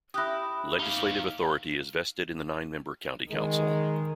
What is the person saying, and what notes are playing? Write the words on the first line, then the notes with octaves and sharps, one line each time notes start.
Legislative authority is vested in the nine-member county council.
E4 G4 D#6 F#6 A#6
D#4 F5
D#3 G#3